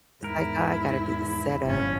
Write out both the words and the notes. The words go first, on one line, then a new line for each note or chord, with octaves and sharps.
it's, like, I got to do the setup
E2 G#2 E4 A#4
G1 A2 F3 C#4